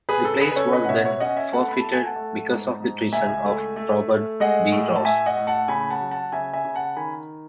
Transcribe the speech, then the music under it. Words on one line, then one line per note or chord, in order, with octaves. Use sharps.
The place was then forfeited because of the treason of Robert De Ros.
G#4 B4
C#3 A4
G#4 B4
B4
C#4 A4 C#5
B4 D#5
F#5
B2 C#5 E5
F#5
C#5 E5
C#4 D#5 F#5
E5 G#5
A3 F#5 A5
B5
A3 A5
G#5
F#5 A5
A3
G#2
G#2
C#2 E5 G#5
A3
A3
A3
G#3 D#5 F#5
A2
A5
A2 E5 G#5
D#5 F#5
A2
F#5 A5
C#3 G#5 B5
F#5 A5
F#3
F#5 A5
C#3 E5 G#5
E5 G#5
C#3
F#5 A5
D#3 G#5 B5